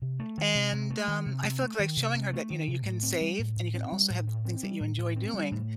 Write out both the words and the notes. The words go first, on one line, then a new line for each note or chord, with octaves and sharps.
and, um, I feel like showing her that, you know, you can save and you can also have things that you enjoy doing,
C3
A3
D#3
C3
C3
A3
D#3
C3
C3
A3
D#3
C3
C3
A3
D#3
C3
A2
C4
G3
A2
A2
C4
G3
A2
A2
C4
G3
A2
A2
C4
G3
A2